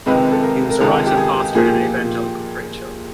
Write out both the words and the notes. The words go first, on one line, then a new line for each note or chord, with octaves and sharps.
He was a writer, pastor and an evangelical preacher.
C#2 C3 D#3 G#3 C4 B4
A4
A#4
A#4
C#2 C3 D#3 G#3 C4 A4
G4
G#4
A#2 F3 A#3 G#4
G4